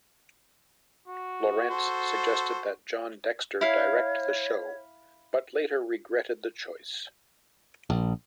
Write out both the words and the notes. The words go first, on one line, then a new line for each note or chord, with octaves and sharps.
Laurents suggested that John Dexter direct the show, but later regretted the choice.
F#4
A4 C5
E4 C#5 F5
A#1